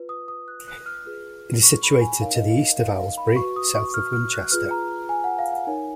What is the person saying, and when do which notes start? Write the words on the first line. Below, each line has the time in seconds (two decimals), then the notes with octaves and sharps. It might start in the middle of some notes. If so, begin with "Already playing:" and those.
It is situated to the east of Owslebury, south of Winchester.
Already playing: F4 B4
0.09 D#6
0.28 D#6
0.48 F#6
0.68 F#6
0.86 F6
1.05 F4 G#4 B4
1.63 C#6
1.83 B5
2.01 G#5
2.21 D#4 A#4 C#5 F5
2.35 D#5
2.50 F5
2.78 F5
2.99 F5
3.18 B5
3.36 F#4 B4 C#6
3.56 D#6
3.75 C#6
3.94 F6
4.13 F6
4.33 F#6
4.51 F4 G#4 B4 F6
4.71 A#5
5.09 G#5
5.24 F#5
5.39 F5
5.53 F#5
5.67 D#4 A#4 C#5 G#5